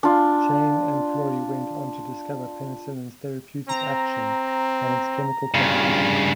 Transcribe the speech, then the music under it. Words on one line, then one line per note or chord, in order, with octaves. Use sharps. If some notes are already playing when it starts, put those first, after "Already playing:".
Chain and Florey went on to discover penicillin's therapeutic action and its chemical composition.
D4 F4
C4 A#5
G2 C#3 F4